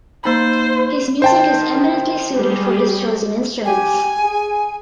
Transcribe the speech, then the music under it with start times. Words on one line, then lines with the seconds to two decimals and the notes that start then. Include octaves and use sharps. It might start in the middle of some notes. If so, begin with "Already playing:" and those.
His music is eminently suited for his chosen instruments.
0.24 A#3 D#4 C5 B5
1.22 D#3 C5 G5 A5
2.32 G3 G4 G#4
3.64 G4 G#5
4.21 G#4